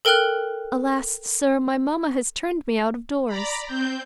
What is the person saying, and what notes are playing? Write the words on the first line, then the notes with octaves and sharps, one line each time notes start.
"Alas! sir, my mamma has turned me out of doors."
A4 A#4 G5 F6 F#6
D5 A#5 B5
C4 G6